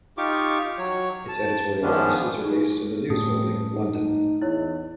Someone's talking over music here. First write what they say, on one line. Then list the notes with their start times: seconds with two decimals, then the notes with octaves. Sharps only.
Its editorial offices are based in The News Building, London.
0.18 D#4 F4 G4 C#6 D6
0.78 F#3 C#5
1.29 A5
1.82 D#3 F3 G#3 B3 C#4 D4
2.42 D#4 G#4
3.10 A2 G3 C4 C#4 D#6
3.73 D#4
4.42 E2 D#4 E4 C#5